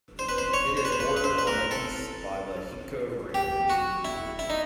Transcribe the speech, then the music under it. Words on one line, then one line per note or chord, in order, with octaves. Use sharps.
It is bordered on the east by the Hiko Range.
C5
B4
C5
C#5
C5
B4
C5
B4
B4
C5
B4
A#4
A4
G4
F#4
E4
E4
D#4